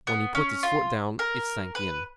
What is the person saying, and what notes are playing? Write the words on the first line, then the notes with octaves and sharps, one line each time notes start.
When he put his foot down it sank in.
B3
C#4
F4
A#4
B4